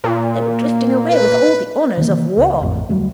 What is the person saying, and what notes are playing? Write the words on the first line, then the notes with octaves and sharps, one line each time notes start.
They were drifting away with all the honours of war.
A#2
B4
C3 D#3 E3 A#3
C#2
A1 F2 A2
D2 F#3 G3 A3